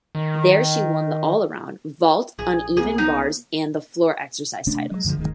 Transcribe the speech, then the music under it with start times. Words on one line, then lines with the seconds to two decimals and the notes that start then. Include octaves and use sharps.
There she won the all around, vault, uneven bars, and floor exercise titles.
0.15 D#3
2.39 A#1 G#4
2.77 C2 A#3 B3 G#4
2.98 D#4
4.67 C3 A3 C4 D4
4.91 F#3 G#3
5.05 F#2 D3 F3 G#3
5.17 D1 G1 D#3 G#3